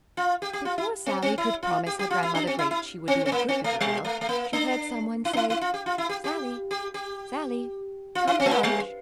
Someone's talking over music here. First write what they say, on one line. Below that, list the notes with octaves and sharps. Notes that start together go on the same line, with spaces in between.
Before Sallie could promise her Grandmother Great she would be a good little girl she heard some one say, "Sallie, Sallie, come to lunch."
F4
G4
G4
F4
E4
C4
C4
E4
F4
G4
G4
F4
E4
D4
C4
E4
E4
C4
C4
A#3
C4
A3
G3
A3
A3
A#3
D4
E4
D4
E4
E4
F4
G4
F4
E4
G4
G4
G4
G4
F4
E4
C4
A3
A#3
G3